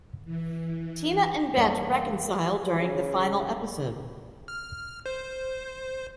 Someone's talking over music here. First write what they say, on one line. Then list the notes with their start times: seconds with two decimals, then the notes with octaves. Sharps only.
Tina and Bette reconcile during the final episode.
0.24 E3
1.57 F#2 E3 G3 A#3 B4 C#5 D5
2.79 C#3
4.48 F6
5.06 C5